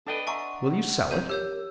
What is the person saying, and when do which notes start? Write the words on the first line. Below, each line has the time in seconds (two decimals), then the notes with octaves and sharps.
Will you sell it?
0.07 D4 A4 B4 D5 D#5 G5 A5
0.27 E5 F#5 G#5 A#5 C6 C#6
1.11 B1 F2 G6 D#7
1.29 G4 A#4 C#5 E6 G6